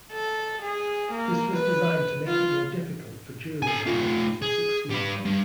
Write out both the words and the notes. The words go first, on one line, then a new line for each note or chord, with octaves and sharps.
This was designed to make it more difficult for jury tampering to succeed.
A4
G#4
A#3
B4
F4
A4 G#5
A3 F4
G#4
G3 B4
G2